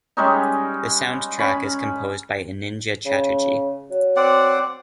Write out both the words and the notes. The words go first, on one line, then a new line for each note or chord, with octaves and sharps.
The soundtrack is composed by Anindya Chatterjee.
G3 G#3 C#4 D#4
C#4 B5
C#3
F#3
C4 D5 F#5